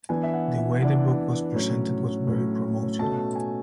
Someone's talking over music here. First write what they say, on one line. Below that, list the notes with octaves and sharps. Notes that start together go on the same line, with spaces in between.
The way the book was presented was very promotional.
E3 B3 D4 G#5
E5
F#5
E5
E3 B3 D4 F#5
A2 F#3 C#4
A2 F#3 C#4
B2 A3 C#4 A5
G#5